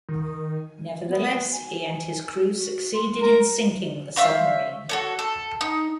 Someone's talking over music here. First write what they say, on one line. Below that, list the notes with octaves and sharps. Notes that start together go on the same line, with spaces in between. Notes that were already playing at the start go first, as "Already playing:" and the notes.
Nevertheless he and his crew succeeded in sinking the submarine.
D#3
B3
G#5
F#4
C6
A#4
C5 E5 F5 C#6
F#4 A4 C#5
A4
D#4